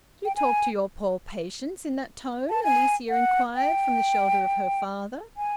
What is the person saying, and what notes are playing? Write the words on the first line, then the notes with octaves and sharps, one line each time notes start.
"Do you talk to your poor patients in that tone?" Alicia inquired, from the shelter of her father.
G5
G#5
A5
G#5
F#5
G5
G#5